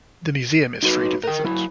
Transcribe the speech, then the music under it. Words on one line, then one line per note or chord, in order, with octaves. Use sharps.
The museum is free to visit.
D#4 F#4 B4
A#4 G5
F#3 E4